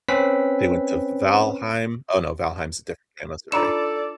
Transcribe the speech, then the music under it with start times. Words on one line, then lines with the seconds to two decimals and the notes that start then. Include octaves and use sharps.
They went to V Valheim. Oh, no, Valheim's a different game, I'm sorry.
0.09 C4 C#4 B4 B6
3.52 D4 D#4 F4 A4 D5 A#5 B5 E7